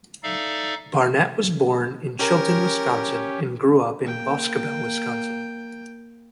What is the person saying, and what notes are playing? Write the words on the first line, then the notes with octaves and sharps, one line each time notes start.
Barnett was born in Chilton, Wisconsin, and grew up in Boscobel, Wisconsin.
D#4 A4 D5 E5 F5
C#4 G4 A#4
A#3 G5